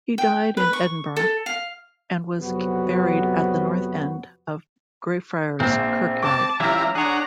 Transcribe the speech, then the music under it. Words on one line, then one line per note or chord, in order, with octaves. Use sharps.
He died in Edinburgh and was buried at the north end of Greyfriars Kirkyard.
G5
B4
C#6
A4
F5
F2 C3 F#3 B3 F#4
A#1 C4
A5 D6
E3 G3 C#4 E4 F4 E5 A#5
D4 G#4 C#5 F#5 A#5